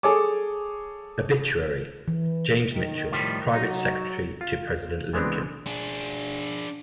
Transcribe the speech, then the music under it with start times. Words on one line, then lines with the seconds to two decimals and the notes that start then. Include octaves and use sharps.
Obituary: James Mitchell, Private Secretary to President Lincoln.
0.03 G#4 A4 C#5 G#5 D6
2.08 E3
2.73 D#3
3.12 A2 F3 G3
3.53 F#3 D#4
4.41 F4
5.13 E3 G#3 B3 C4 D4
5.66 D4 G#4